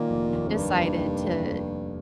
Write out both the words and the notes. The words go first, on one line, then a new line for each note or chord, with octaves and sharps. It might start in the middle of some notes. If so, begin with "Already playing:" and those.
decided to
Already playing: A#2 D#3 A#3
F1
D#2
F2
G2 A#3
D#3
F1